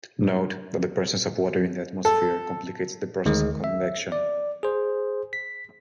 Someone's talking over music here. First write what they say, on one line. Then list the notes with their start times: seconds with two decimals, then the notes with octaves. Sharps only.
Note that the presence of water in the atmosphere complicates the process of convection.
2.05 A4
3.25 D2 D#3 G#3
3.64 E5
4.12 D5
4.63 G#4 C5
5.33 B6